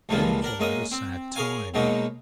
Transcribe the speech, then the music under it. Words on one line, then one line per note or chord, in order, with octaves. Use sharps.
Then followed a sad time.
C#2 G2 E3 F3 G#3 A#3
D4 A#4 F#5
F#2 G#3 A#3 D#5 D#6
C4
G#4 A#4 C#5 F5 G#5
G#2 B2 F#3 G#3 A#3 D#4